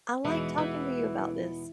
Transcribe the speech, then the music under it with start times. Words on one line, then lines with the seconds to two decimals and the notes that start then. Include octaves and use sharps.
I like talking to you about this.
0.24 E2 B2 E3 G#3 B3 D#4
0.58 E3